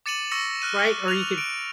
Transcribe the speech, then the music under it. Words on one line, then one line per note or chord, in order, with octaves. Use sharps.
Right, or you could
D6 A6 C#7 D#7 E7 F#7
C#6 E6 A#6 C#7
F6 F#6 D#7
F6 F7
D7